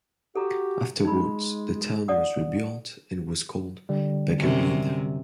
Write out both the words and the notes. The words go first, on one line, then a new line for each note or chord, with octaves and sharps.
Afterwards the town was rebuilt and was called Bagherino.
F#4 G4 A4 A#5
G#3 D#4 B5
D5 F#5 D#6
D3 G3
F#2 C3